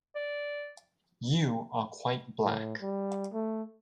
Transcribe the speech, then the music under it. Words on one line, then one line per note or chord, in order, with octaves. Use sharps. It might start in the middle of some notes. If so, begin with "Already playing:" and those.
You are quite black.
D5
A2
G3
A3